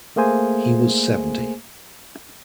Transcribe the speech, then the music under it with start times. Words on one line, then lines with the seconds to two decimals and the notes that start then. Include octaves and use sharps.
He was seventy.
0.16 A3 A#3 G#4 C5 G#5